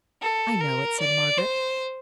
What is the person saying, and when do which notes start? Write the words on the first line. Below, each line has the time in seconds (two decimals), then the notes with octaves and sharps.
'I know it,' said Margaret.
0.22 A4
0.61 A#4
1.00 D5
1.38 C5